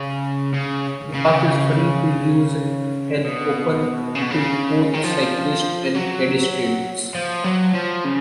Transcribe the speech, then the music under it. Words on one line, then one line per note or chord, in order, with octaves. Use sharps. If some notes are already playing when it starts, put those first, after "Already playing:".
The park is free to use and open to both cyclists and pedestrians.
Already playing: C#3
C#3
C#3
D#3
C#3
B2
C#3
B2
C#3
D#3
F3
F#3
F3
F#3
F3
C#3